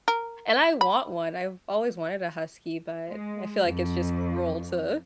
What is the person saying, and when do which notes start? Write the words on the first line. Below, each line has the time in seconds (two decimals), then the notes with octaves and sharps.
and I want one, I've always wanted a husky, but I feel like it's just cruel to
0.08 A#4
0.81 B5
3.08 G#3
3.65 F2